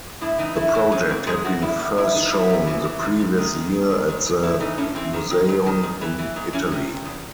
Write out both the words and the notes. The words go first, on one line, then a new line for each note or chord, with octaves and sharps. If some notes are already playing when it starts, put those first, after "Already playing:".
The project had been first shown the previous year at the Museion in Italy.
A2 E4
E3 D#4
A2 E4
E3 E4
G#2 C#4
G#2 C4
G#2 G#3
E3 F#4
E2 E4
E2
E2 E4
D#3 D#4
F#2 E4
F#2
E3
E3
F#2
F#2
D#3
D#3
G#2
G#2
G#2
G#2
A2 E4
E3 D#4
A2 C#4
E3 C4
D#3
D#3
G#2
D#3
G#2
E3
E3
G#2
E3 C#4
C3
C3
E2